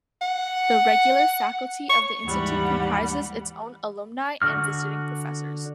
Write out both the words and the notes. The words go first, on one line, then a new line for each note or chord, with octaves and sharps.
The regular faculty of the institute comprises its own alumni and visiting professors.
F#5
C#6
D#2 G#2 E3 G3 F#5 B5
D3 F#4 F6